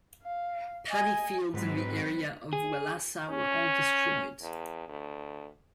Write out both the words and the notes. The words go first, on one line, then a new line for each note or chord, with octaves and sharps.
Paddy fields in the area of Wellassa were all destroyed.
F5
D#5 G#5
G#2 F#3 C4 B4
G#4
C#4
E2
D2